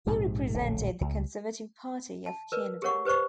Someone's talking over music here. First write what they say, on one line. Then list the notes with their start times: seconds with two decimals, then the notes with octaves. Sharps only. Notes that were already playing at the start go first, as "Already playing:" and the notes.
He represented the Conservative Party of Canada.
0.07 A#1 G#2 C3
0.55 D1 A#1 C#3 A3
1.01 C#2
2.26 A5
2.52 A#4 B4 D5
2.82 G4 G#4 A#4 C#5 F#5 C#6
3.05 G4 B4 C5 D5 C#6